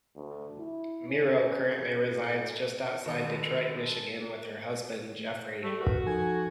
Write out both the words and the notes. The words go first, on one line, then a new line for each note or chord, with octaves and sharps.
Miro currently resides just outside Detroit, Michigan with her husband, Jeffrey.
D2
E4
C#4
C#3
A2
D#3 G#3 F#4 A4 B4 C#5 D#6
G3 A3 G4
F#4 A#4 B4
F3 D#4 A4 G#5 G#6